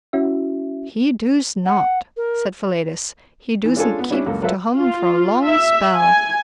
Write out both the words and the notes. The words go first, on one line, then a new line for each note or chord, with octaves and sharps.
"He doos not," said Philetus;--"he doosn't keep to hum for a long spell."
C#4 E4 F#4 E5
F#5
A#4
D#3 E3
G#3 C#4 D4 F4 A4 G#5
B3
G3 C#4 D4 E4 D5 E5
C#2 F#2 A#3 A4
F#3 F4 A4 B4 E5
F4
E5
G#5